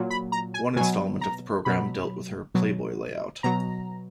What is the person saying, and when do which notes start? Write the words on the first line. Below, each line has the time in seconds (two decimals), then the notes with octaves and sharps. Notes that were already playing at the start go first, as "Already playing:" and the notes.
One installment of the program dealt with her "Playboy" layout.
Already playing: A#2 F#3
0.10 B5
0.32 A#5
0.54 G#5
0.76 B2 F#3 G#5
1.21 A#5
1.65 B2 F#3 B5
2.55 B2 F#3
3.43 B2 F#3 A#5